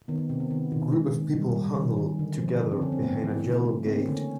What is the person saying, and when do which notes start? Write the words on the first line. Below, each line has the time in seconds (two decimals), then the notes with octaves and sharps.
A group of people huddled together behind a yellow gate.
0.08 D#3 B3
0.19 B3
0.29 C3 C4
0.40 B3
0.50 D#3 B3
0.72 D#3
0.92 G#3
1.14 D#3
1.35 G3
1.56 G3
1.76 D#3 C#4
1.97 D#3
2.19 D3
2.39 F3
2.60 D3 D4
2.71 C4
2.81 D3 C#4
2.92 C4
3.02 A3 B3
3.24 E3
3.44 C#3
3.65 A3
3.86 A#3 C4
4.00 C#4
4.08 D3
4.15 C#4